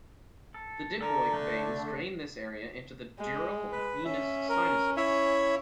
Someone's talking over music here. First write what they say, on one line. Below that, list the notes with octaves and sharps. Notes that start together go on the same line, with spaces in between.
The diploic veins drain this area into the dural venous sinuses.
A4
D3 A4 A#4
A3 D4
G#3
B4
C#4 E5
A#4
E4 C#5 E5